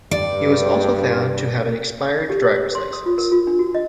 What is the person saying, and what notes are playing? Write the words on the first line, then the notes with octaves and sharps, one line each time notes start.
He was also found to have an expired drivers license.
G2 D5
D5
G4
C#5
C#5
C6
D#6
F4
A#4
F4
D4
F#4
D#5